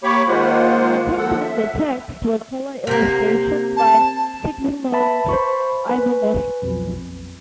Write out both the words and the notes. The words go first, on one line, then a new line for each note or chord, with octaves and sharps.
Accompanying the text were color illustrations by Sigismond Ivanowski.
A#3 G4 C#5 B5 C#6 D6
D#3 G#3 A#3 F4 C5 F#5
D#2 F3 A4 F#5
E5
C3 A#3
A5
B4 E5 A5 B5
C5 B5 C#6
B4 G#5
B1 F2
A#1